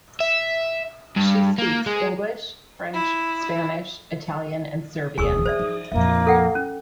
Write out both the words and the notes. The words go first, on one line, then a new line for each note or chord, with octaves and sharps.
She speaks English, French, Spanish, Italian and Serbian.
E5
G2
A#3
G#3
E4
E1 D2 G#4 G#5 C#6 E6
C4 C5 D5 E5
F3 D#4
A#1 F2 A#3 E5
A4 F#5 G5
C#4